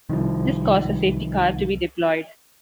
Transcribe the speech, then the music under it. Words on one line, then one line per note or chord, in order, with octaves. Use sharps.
This caused the safety car to be deployed.
C2 D#3 F3